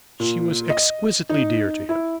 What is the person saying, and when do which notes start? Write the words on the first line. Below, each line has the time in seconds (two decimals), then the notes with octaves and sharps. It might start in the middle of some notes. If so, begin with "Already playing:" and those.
She was exquisitely dear to him.
0.20 A#2
0.70 D#5
1.29 D#4
1.89 E4